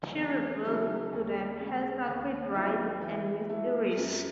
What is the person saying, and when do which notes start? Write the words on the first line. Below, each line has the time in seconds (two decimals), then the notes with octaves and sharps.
She revealed to them her sacred rites and mysteries.
0.18 E2
0.65 C#3 F#3 A3 D#4
1.13 D#2
1.59 C#3 G#3
2.08 D#2
2.54 D#3 F#3 B3 E4
3.01 E3
3.49 A3 E4
3.96 F#2